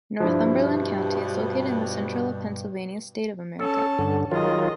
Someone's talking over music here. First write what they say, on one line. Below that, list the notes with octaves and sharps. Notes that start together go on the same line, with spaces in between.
Northumberland county is located in the central of Pennsylvania state of America.
G2 B2 F3 D4 E4
C#4 A4 A5
G2 D3
D#3 F#3 F4 G#4 D#5